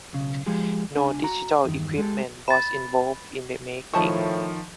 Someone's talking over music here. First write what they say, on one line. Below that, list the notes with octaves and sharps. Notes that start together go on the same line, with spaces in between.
No digital equipment was involved in the making.
B1 C#3
F3 G#3 G4 G#4
C#2 D4 G#5
F#4 A#5
E2 G2 D#3
G#3 G4 A4
B5 A6
A2 D#3 F3 C5 D#5 A5 C#6